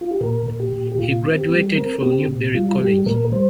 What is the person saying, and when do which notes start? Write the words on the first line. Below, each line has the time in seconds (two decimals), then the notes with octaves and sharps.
He graduated from Newberry College.
0.01 F4
0.11 G4
0.21 A#2 A#4
0.47 A#2
0.60 G4
0.72 A#2
0.92 G4
0.99 A#2 F4
1.25 C4
1.38 G4
1.51 G3
1.76 C4 A#4
2.03 C4 G4
2.28 A#2
2.54 G3 F4
2.80 G3 G4
3.06 A#2 A#4
3.32 G3 C5